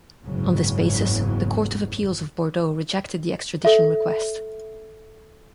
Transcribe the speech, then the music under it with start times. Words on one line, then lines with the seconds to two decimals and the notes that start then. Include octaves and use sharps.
On this basis, the court of appeals of Bordeaux rejected the extradition request.
0.23 F#1 E2 G#2 C#3 F#3
3.65 A4 E5